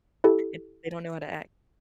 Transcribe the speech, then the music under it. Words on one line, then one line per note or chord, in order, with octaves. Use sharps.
eh, they don't know how to act.
E4 G4 A4